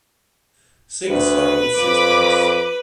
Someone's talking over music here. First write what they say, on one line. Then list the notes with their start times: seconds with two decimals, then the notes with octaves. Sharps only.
Sing a song o' sixpence!
1.09 D2 B4
1.76 F2 B5 D6